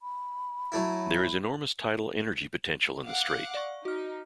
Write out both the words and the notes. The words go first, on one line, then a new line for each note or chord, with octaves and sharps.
There is enormous tidal energy potential in the Strait.
B5
F#3 A3 E4
F5 F#5 D6
D5 C#6
D#4 F#4 F6